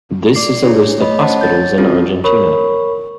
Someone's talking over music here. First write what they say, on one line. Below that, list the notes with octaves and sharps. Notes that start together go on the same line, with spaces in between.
This is a list of hospitals in Argentina.
D5 D6 C7
D4 E4 G4 G#4 C#5
A3 C#5 D#5 B5
C#4 C5 F#5 A5 B5
C#5 G6 A6
C4 C#4 F4 F#4 A4
A#4 C#5 B5 C#6